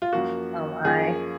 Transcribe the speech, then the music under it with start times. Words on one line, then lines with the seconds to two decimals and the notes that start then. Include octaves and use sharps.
Oh my.
0.02 F4
0.13 F#2 F3 A#3 F#4
0.84 F#2 F3 A#3 G#4